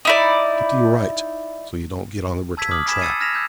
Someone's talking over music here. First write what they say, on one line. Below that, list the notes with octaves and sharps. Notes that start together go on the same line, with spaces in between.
Keep to your right so you don't get on the return track.
D#4 E4 D5
A5 E6 G#6 B6
D6 D#6 F6 F#7
G#5 B5 G#6 B6 E7
E6 G#6 A6 C7 C#7 D#7
F6 G#6 A#6 B6 E7 F7
E6 G6 G#6